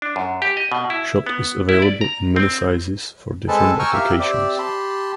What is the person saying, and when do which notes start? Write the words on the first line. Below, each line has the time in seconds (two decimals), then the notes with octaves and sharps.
Shot is available in many sizes for different applications.
0.02 D4
0.16 F#2
0.42 G4
0.57 D#5
0.72 B2
0.90 E4
1.26 B3
1.69 E4
1.82 D5
2.01 A#5
2.36 C4
3.48 G#3 C4 G#4 A4 B4 A5
3.79 G5 G#5 A#5 C#6 E6 F6
3.93 G4 A#4 E5 F5
4.19 C4 G4 D5 E5
4.59 G4 A5 B5 C6